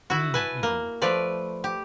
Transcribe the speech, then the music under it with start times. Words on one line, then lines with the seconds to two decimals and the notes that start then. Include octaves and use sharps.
Mm, mhm.
0.10 E4 F#4
0.34 B4 G#5 A5
0.63 A#3
1.02 F3 A3 B4 D5
1.64 G4